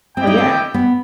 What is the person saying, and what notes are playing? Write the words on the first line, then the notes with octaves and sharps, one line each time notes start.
Oh yeah.
C4 E4 G4 D#5 G5
D#4
C4
B3